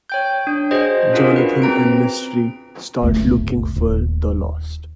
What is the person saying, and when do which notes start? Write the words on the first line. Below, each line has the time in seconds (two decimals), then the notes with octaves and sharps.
Jonathan and Mystery start looking for "The lost".
0.10 C#5 G5 G6
0.47 D4
0.71 F#4 G#4 C5 D#5
1.13 C#4 D4 F4 F#4 G#4 A#4
1.36 B4
1.62 C4 A#5 D7
3.02 D1 G1 C#2 A3
3.76 D#1